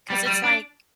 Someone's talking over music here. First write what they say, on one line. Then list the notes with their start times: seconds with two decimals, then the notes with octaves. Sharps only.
'cause it's like
0.10 G3
0.27 G3
0.44 D4